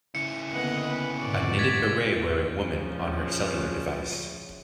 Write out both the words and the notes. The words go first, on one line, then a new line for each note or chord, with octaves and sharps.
A knittedberet wearing woman on her cellular device.
C#3 E4 C#7
D3 A#3 B3 D#5 F#5
B4
G#2 B2 D3 F#4 D5
G#6 A6 B6
A#2 C#3 F3